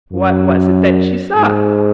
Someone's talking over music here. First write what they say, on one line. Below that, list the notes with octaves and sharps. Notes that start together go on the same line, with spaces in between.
What was it that she saw?
F#2
G#2